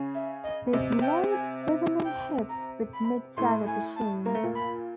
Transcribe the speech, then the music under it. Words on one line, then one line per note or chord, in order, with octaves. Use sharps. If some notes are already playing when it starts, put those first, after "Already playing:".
Those lithe, swivelling hips put Mick Jagger to shame.
Already playing: C#3 C#4
E5
D#5
C3 C4 D#5
G5
G#5
E5
G5
A#5
B5
A2 A3 C6
G#5
A5
A#3 A#5
A3
A#2 A#3
B5